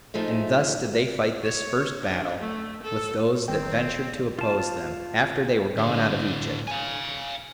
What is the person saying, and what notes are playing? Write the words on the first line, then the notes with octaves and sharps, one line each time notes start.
And thus did they fight this first battle with those that ventured to oppose them, after they were gone out of Egypt.
F3 G#3 A3 D#4
C#5
D4
A3
A4
D1 D#3 C4 G5
F4 A5
A2 D3
F5 G#5